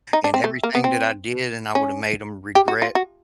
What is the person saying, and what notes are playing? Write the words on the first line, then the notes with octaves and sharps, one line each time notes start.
and everything that I did, and I would've made 'em regret,
D#4
D4
C4
A3
A#3
B3
C4
C#4
G4
F#4
F4
F#4